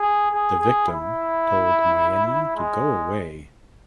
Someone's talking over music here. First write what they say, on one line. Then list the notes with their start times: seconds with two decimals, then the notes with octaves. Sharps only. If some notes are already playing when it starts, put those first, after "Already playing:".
The victim told Myeni to go away.
Already playing: G#4
0.32 G#4
0.59 G#4
0.88 E4
2.56 G#3